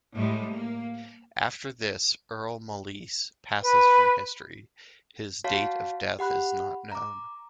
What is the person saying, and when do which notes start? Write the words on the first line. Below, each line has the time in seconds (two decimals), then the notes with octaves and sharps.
After this, Earl Malise passes from history; his date of death is not known.
0.13 A2 G3 G#3
0.50 A#3
3.62 B4
5.44 F#4 C#5 F5 A5 B6
6.19 G4 F#5 B5 F#6
6.92 A#5 D6